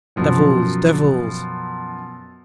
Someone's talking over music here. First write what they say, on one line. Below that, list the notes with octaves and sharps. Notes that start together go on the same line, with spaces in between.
Devils! Devils!
F#2 B2 F3 F#3